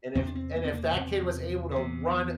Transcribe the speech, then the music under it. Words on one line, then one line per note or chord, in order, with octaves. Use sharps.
and if And if that kid was able to run
E2 C3 C4
D4
C4
A#3
C4
A#3
E2 C3
C3
E2